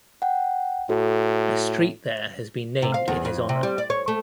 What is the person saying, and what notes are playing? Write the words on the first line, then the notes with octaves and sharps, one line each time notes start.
A street there has been named in his honor.
F#5 G5
A2 F#4 A4
C3
F5
E2
F2
C3
G3
D5
C#5
A3